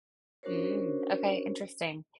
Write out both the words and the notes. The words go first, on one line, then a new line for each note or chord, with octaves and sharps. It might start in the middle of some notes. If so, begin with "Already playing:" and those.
Mm. Okay, interesting.
C#4 D4 F#4 A#4 C5 C#5